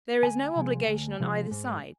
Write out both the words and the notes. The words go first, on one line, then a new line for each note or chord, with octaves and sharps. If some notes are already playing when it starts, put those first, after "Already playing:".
There is no obligation on either side.
D2 G#5
C3 F3 G#3
D2
C3 F3 G#3
G#2